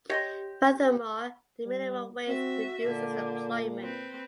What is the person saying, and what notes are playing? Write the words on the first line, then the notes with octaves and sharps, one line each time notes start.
Furthermore the minimum wage reduces employment.
G4 C#5 D#5 C6
G3
C4 F#4 E5
A#2 D3
C4 B4